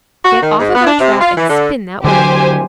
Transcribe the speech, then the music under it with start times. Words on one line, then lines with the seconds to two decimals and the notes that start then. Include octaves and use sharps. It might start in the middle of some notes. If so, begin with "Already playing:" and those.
"Get off of our trap and spin that wedding."
0.24 F#4
0.42 D#3
0.59 G#2
0.75 B3
0.87 D4
1.00 C3
1.20 F4
1.37 E3
1.49 D3
2.05 D3 F#3 G4 C5 G#5